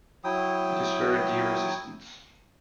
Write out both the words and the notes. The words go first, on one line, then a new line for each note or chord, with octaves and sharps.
It is very deer-resistant.
F#3 E4 G5 D#6